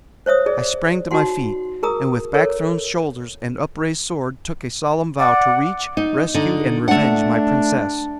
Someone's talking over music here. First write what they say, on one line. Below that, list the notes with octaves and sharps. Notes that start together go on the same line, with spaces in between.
I sprang to my feet, and with back-thrown shoulders and upraised sword took a solemn vow to reach, rescue, and revenge my Princess.
C5 C#5 E5 D#6
G#4 D5
D#4 F#4 F#5 C6
G#4 A#4 A#5 D#6
A4 A#4 C#5
D5 F#5
D#4
D3 D#4
A3 D4 F#5